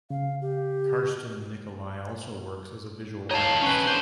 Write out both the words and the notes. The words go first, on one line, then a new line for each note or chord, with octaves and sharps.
Carsten Nicolai also works as a visual artist.
C#3 F5
G4
D#4 C#5 F5 A5
C#4 B4
D3 C5